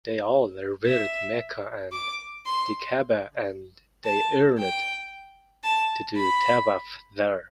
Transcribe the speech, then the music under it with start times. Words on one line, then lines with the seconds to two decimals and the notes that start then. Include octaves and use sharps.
They all revered Mecca and the Ka'bah and they yearned to do tawaf there.
0.86 E5
1.92 D6
2.46 C6
4.04 A5
4.58 G5
5.64 A5
6.17 B5